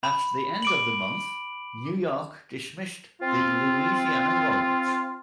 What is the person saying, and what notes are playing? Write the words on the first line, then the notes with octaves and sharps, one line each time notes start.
At the end of the month, New York dismissed the Louisiana warrant.
B5
D6 D7 F#7
C4 F4